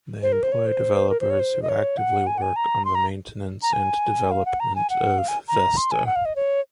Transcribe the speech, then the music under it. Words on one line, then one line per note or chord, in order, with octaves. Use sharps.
They employ developers who actively work on the maintenance and development of Vesta.
C5
A#4
C5
C#5
C5
A#4
C5
C#5
C5
D#5
C#5
F#5
G#5
F#5
G#5
A#5
C6
A#5
A#5
G#5
F5
F#5
A#5
G#5
F#5
F5
G#5
A#5
C6
G#5
F#5
F5
D#5
C#5